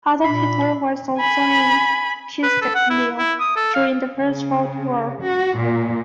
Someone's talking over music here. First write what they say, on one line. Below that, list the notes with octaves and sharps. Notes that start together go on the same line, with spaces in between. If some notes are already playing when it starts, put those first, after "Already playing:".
Adolf Hitler was also in Kyustendil during the First World War.
A#2 D4 B5
G#5 B5
B4
A4
F#5
E4
E4
D#6
A4
F5
C#3
F#4
A#2